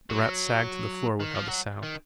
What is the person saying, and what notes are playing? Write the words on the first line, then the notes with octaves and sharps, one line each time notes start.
The Rat sagged to the floor without a sound.
F#3
D#3
F3
F#3
D#3